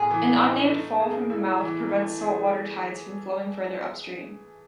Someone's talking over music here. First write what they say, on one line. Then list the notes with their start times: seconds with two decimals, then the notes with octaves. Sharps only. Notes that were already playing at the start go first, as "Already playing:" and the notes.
An unnamed fall from the mouth prevents saltwater tides from flowing further upstream.
Already playing: A2 B3 G#4
0.11 E3
0.40 D#4
0.71 A3
1.00 G#4
1.30 E4
1.60 E3
1.90 A3
2.20 G#4